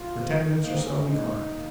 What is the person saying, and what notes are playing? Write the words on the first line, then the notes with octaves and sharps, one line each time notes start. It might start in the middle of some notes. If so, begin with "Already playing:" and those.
For ten minutes or so we climbed.
Already playing: F4
G#2 D#3 A#3
G#2 D#3 A#3 D#4
C#4
A#2 G#3 D#4
D#3 A#3